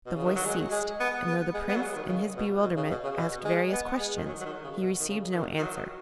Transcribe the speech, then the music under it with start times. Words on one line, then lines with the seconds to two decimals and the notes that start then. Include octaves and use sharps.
The voice ceased, and though the Prince in his bewilderment asked various questions, he received no answer.
0.06 B2
0.16 C#3
0.26 D#3
0.36 F#3
0.45 G#3
0.72 G#3
1.00 B3
1.27 B3
1.54 G#3
1.68 B3
1.76 F#3
1.81 G#3
1.96 D#3
2.08 C#3
2.37 B2
2.63 B2
2.76 C#3
2.91 B2
3.04 C#3
3.18 B2
3.45 G#3
3.72 B3
4.00 G#3
4.17 D#3
4.27 F#3
4.41 F#3
4.46 D#3
4.64 C#3
4.82 B2
5.00 D#3
5.09 C#3
5.32 F#3
5.36 D#3
5.59 D#3
5.63 F#3